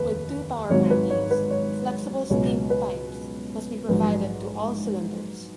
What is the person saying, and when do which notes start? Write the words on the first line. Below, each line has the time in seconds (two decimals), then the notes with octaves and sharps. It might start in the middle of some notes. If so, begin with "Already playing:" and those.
With two power bogies, flexible steam pipes must be provided to all cylinders.
Already playing: F1 D#2 B4
0.70 G#1 G#2 D#3 F#3 C#5
0.90 B4
1.10 C#5
1.31 B4
1.51 C#5
2.30 C#2 B2 F#3 C#5
2.70 B4
3.89 A#1 G#2 F#3 B4